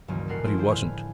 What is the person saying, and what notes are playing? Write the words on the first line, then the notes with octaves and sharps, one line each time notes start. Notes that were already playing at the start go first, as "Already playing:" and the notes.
But he wasn't.
D#1 C#2 G2 E3 F#3 A#3
A1 G3 A4 A#4 F#5 C7
F3 A3 A#3 E4 F4 C5
D3 E3 G3 C4 C5 G6
A2 G#4 B4 F5